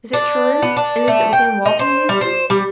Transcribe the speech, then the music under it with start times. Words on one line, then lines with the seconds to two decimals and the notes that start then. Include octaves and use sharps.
Is it true?--and is it within walking distance?'
0.13 D4
0.62 B3
0.76 D4
1.08 A3
1.33 G5
1.66 D#4
1.79 C5
2.09 G3
2.21 C5
2.50 G3